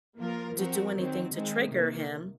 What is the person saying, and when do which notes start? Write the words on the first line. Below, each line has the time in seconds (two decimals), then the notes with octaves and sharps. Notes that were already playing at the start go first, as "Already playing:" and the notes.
d do anything to trigger him.
0.18 F3 A#3 F4 A#4
0.55 F3 C4 F#4 A#4
0.95 D#3 F#3 C4
1.33 D#3 G#3 C4
1.70 C3 D#3 A#3